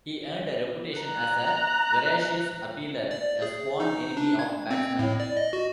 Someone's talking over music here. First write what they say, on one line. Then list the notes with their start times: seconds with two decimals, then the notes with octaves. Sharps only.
He earned a reputation as a voracious appealer, a sworn enemy of batsmen.
0.98 A#5 F#6
3.11 D5
3.42 G#4
3.80 D#4
4.17 D4
4.39 G#6
4.71 C4
4.99 A2
5.20 D5
5.37 D#5
5.53 F#4